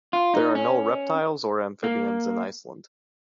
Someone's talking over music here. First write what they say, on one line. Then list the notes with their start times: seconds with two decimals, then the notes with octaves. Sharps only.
There are no reptiles or amphibians in Iceland.
0.13 F4
0.34 D#4
0.55 C#4
1.84 A#3